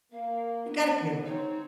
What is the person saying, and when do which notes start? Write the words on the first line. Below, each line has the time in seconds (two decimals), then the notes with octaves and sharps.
You gotta give me one.
0.12 A#3 F5
0.66 D#3 F#3 B3 D4
1.26 G#3 C4 D#4 C#5